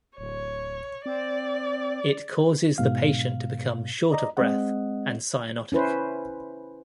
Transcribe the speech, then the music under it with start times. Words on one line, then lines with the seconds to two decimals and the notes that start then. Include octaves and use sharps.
It causes the patient to become short of breath and cyanotic.
0.18 D1 C#5
1.06 C4 D5
2.78 G#2 B2 F5
4.11 D5 D#5 A#5
4.37 G#3 C4 D#5 F#5
5.72 C#4 E4 B4 C5